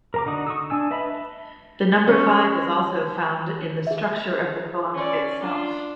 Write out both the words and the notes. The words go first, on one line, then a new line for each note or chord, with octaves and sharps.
The number five is also found in the structure of the poem itself.
A#4 A#5 D6
D3 D#4 F#4 D#6
C#6 D#6 E6
D4 G#5 E6
B4 D#5 E5 A5 B5
C#4
G#4 E5
C#4 D5
D4 F4